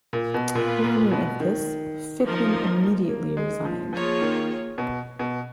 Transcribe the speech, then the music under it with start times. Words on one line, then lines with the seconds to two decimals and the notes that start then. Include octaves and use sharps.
Learning of this, Ficklin immediately resigned.
0.13 A#2
0.34 B2
0.55 A#2 B3 F4 B4
0.84 A#2
1.11 B2
1.40 D#3
2.25 F3 A#3 D#4 A#4
3.09 A#3
3.37 G#3
3.65 F3
3.93 F3 A#3 F4 G#4 C#5
4.22 D#3
4.78 B2
5.19 B2